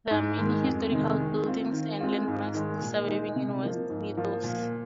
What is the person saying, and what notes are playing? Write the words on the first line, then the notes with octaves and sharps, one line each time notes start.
There are many historic buildings and landmarks still surviving in Westmeadows.
G#2
D#3 G#3
F2
C3 D#3 G#3
D#3
C4 F4
D#3
G#3 C4 F4
G#2
D#3 G#3
A#2
G#3 D#4
C3
F3 A#3
G#2
F3 A#3 F4
A#2